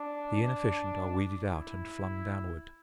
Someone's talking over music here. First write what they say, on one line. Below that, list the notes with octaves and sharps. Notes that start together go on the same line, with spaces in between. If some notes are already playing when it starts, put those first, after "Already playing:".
The inefficient are weeded out and flung downward.
Already playing: D4
E4